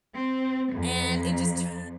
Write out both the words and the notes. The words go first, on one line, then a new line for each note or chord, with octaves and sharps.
and it just turned
C4
F2